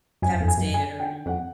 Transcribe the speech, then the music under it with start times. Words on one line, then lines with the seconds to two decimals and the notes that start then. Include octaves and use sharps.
Devastated or anything.
0.22 F#2 G#5
0.40 F2
0.48 G#5
0.57 F#2
0.74 G#5
1.00 G5
1.26 F2 F#5